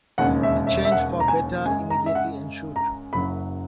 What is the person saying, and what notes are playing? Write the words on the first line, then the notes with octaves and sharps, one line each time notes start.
A change for the better immediately ensued.
E1 D#2 C#3 G#3 F#5
E5
E5
E5
F#5
A#5
G#5
F#2 C#3 G#3 G#5
A#5
E5
F#5
A#5
F#1 F#2 C#3 F#3 B5